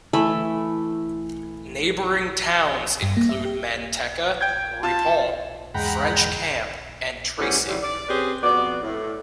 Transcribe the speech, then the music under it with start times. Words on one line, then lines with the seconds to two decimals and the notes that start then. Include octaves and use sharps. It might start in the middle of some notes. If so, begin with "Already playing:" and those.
Neighboring towns include Manteca, Ripon, French Camp, and Tracy.
0.13 E3 A3 B5
3.02 G2
3.17 A#3
3.29 E5
3.45 G4
4.41 G5 G6 G#6
4.83 F4 A5
5.74 E2 G#2 D3 G#3 F#5 G5 A#5 B5
7.38 A2 E3 F3 G3 B3 C#4
7.67 G#2 C#3 E3 F#3 G3
7.82 D5
8.09 C4 C#4 G4 G#4 B4 C5
8.43 F2 B3 F#4 D5
8.83 A2